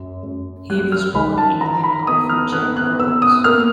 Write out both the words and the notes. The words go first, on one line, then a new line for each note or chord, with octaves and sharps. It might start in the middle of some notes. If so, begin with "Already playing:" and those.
He was born in Minhou, Fujian province.
Already playing: F#2
F#2
F#3 F#6
F6
D#3 B5
A5
D#4 A#5
B5
B3 D#6
F6
B3 F#6
F#6
B3 E6
D#6
A#3 F6